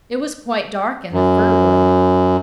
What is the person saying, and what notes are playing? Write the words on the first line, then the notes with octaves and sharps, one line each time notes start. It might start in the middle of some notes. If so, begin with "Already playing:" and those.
It was quite dark in the fir wood.
F#2